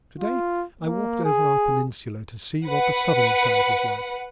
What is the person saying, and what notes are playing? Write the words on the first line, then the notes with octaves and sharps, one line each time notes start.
To-day I walked over our peninsula to see what the southern side was like.
F4
A#3
G#4
B4 F#5